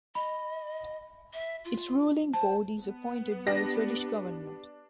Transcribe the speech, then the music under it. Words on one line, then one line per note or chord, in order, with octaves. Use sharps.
Its ruling board is appointed by the Swedish government.
D#5 B5
E5
F4
C5 A5
B3
D4 G4 A#6